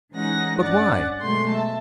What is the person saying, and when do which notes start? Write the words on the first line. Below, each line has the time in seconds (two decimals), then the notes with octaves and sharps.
"But why?"
0.12 E3 G#3 C#4 D#4 F#5 A#6
0.58 G2 C#4 D5 F#5 A6
1.20 B2 F#3 G#3 A3 C6 G6
1.49 E5 A5